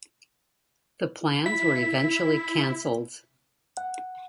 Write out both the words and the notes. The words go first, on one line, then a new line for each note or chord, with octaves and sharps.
The plans were eventually cancelled.
E4 B6
F#5